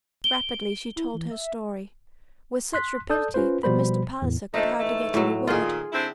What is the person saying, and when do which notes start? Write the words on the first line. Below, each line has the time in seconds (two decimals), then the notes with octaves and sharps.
Rapidly she told her story,--with such rapidity that Mr. Palliser could hardly get in a word.
0.24 D7 G7
0.96 E4
1.14 E3
1.31 E5
2.73 C6 F#6 B6
3.10 A4 D5 A5 D#6 G6
3.34 C#4 F4 B4 C5
3.63 B2 F3 G3 C5 B5
4.22 E2 A2
4.54 D3 F3 A3 D#4
4.79 G#2 E3 A3
5.14 A2 F#3
5.47 A#2 D#3 F4 G#4
5.92 D3 C4 E4